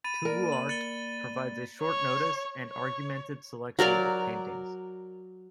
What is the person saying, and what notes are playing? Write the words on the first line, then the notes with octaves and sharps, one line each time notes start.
Towooart provides a short notice and an argumented selection of paintings.
B5 A6 D#7
A#3 A#4 D5
F#7
A6 C#7 F#7 G7
C#5
C#5
F#3 A#4 D5 F5